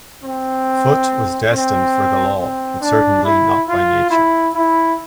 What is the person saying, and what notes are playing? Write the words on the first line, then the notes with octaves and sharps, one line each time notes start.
Foote was destined for the law, but certainly not by nature.
C4
C4
C4
D4
E4
F4
E4
E4